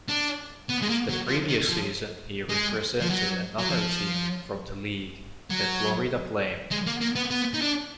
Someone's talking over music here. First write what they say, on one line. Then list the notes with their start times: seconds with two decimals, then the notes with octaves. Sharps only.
The previous season, he represented another team from the league, the Florida Flame.
0.09 D4
0.69 B3
0.82 G#3
0.89 A#3
1.10 F#3
1.29 F3
1.49 D#3
1.69 F3
2.49 G#3
3.01 F3
3.10 F#3
3.58 F#3
3.70 F3
5.50 F#3
6.71 G#3
6.86 A#3
7.01 A#3
7.16 B3
7.31 B3
7.54 D#4
7.61 D4